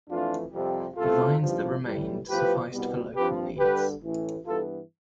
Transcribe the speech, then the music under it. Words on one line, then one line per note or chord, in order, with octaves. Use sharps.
The vines that remained sufficed for local needs.
F2 E3 A3 D4 F4
F2 C3 G3 C4
C2 B2 A3 C4 F4 A4
A1 G2 F3
A1 A2 E3 G3
A2 F3 B3 G4 B4
C2 B2 G3 B3
G2 F3 C4 G4 B4
G2 D3 G3 G4 B4
A1 A2 E3
G2 E3 B3 F4 A4